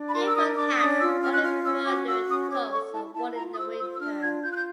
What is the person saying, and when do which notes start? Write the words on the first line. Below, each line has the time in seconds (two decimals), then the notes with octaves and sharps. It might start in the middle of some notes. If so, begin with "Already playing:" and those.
Yukon hats or embroidered toques are worn in the winter.
Already playing: D4
0.09 B5
0.14 A#4 C6
0.26 E6
0.36 D4 D#6
0.57 D4 D6
0.78 C#4 D#6
1.00 F4 E6
1.21 C#4 F6
1.33 F#6
1.43 F4 F6
1.64 C#4 E6
1.86 F#4 D6
2.07 F#4 E6
2.28 C#4 D#6
2.50 C#5 D6
2.71 A4 C#6
2.93 E4 A5
3.14 E4 A5
3.35 F4 A#5
3.51 D#6
3.57 C5 E6
3.78 F4 E6
3.95 E6
4.00 D4 F6
4.22 F4 G#6
4.43 F4 G6
4.50 F#6
4.57 G6